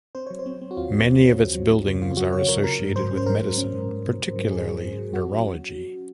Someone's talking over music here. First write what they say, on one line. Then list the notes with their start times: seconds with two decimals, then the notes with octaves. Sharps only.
Many of its buildings are associated with medicine, particularly neurology.
0.15 C4 C5
0.27 F#3 C#5
0.39 C5
0.46 C4
0.62 C4
0.71 F#4
0.77 D#2 F4
0.92 C4
1.08 C#3
1.24 C4
1.39 D#2
1.55 F#3
1.71 C4
1.87 C#3
2.02 C#3 F4
2.17 F#3 F#4
2.33 C#3 C#5
2.48 C#3 A#4
2.64 F#3 A#4
2.79 G#2
2.95 F#3 C5
3.11 C#4
3.17 C5
3.26 G#2 A#4
3.42 F#3
3.58 C#4
3.73 G#2
3.89 G#2
4.05 G#2
4.20 G#2
4.36 F#3
4.51 F#3 G#4
4.67 F#3
4.82 G#2
4.98 F#3
5.13 F#3 F#4
5.29 C#4